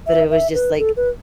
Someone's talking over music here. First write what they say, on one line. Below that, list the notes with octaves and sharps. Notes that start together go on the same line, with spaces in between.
but it was just like
E5
E5
B4
A4
B4